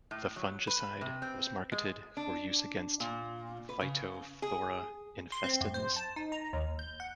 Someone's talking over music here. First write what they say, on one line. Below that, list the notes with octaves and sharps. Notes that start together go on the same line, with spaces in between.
The fungicide was marketed for use against "Phytophthora infestans".
A2
F#3
B4
C3
C4
G#3
D4
A#2
B4
C#3
G#4
C6
C4
F#2
C5
A5
D#4
A#5
D#2
G6
F#5